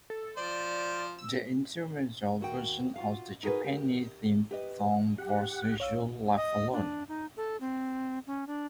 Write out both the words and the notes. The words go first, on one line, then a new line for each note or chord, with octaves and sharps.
The instrumental version of the Japanese theme song was usually left alone.
A4
F3 C5 D5
E6
D#2 F#4 G5
F4 F#4 F5
D#4 F#4 G#4 A#4 B4
G4
G4 B4 D#5
G4 F#5
C#5 F5 E6
D#5
D4
D#4
A4
C4
C#4
D4